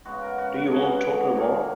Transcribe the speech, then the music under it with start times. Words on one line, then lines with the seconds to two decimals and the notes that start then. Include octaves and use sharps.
Do you want total war?
0.05 C#3 G#3 B3 F#4
0.22 A#4
0.38 F#4
0.54 F#4
0.68 B2 G#3 B3 G#4
0.80 F#4
1.35 D#3 A#3 D#4